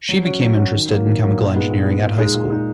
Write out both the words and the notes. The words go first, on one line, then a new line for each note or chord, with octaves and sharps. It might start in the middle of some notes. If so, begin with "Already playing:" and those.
She became interested in chemical engineering at high school.
F#3
C#4 F#4
F#3
C#4 F#4
D#3
F#3 A#3
D#3
F#3 A#3
A#2
G#3 B3 D#4
A#2
G#3 B3 D#4
A#2
G#3 D#4
A#2
G#3 D#4